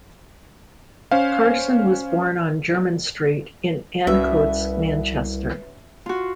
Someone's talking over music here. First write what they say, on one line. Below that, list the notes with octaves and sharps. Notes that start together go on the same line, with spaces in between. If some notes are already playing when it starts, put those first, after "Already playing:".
Carson was born on German Street in Ancoats, Manchester.
C#4 C5 F5
C2 C#4 F#4 B4 E5
F4 F#4